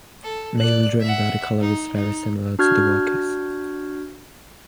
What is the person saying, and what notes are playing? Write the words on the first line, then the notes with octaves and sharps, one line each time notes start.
Male drone body colour is very similar to the workers.
A4
D5 F#6
E5 F#5
D#4
D#4
D4 F#4 F6 G6 G#6